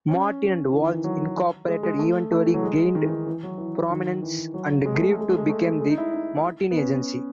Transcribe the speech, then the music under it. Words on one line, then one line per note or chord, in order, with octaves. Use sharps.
Martin and Woltz Incorporated eventually gained prominence and grew to become The Martin Agency.
C#4
E3
D#3
E3
F#3
G#3
G#3
A3
A3
E3
F#3
G#3
D#3
E3
D#3
E3
F#3
E3
D#3
E3
F#3
G#3
A3
G#3
A3
G#3
A3
G#3
A3
G#3
D#4
E4
D#4
B3
C#4